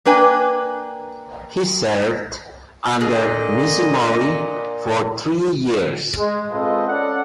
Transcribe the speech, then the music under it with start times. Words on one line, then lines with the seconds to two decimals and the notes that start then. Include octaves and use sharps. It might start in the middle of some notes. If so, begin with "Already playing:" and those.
He served under Mizumori for three years.
0.06 A#3 D4 B4 G5 G#5
3.01 A#2 D3 G#4 D#5
6.17 G#3
6.50 G#3 C4 F4 A4 B4 D#5
6.88 C#4 A4 D5 F#5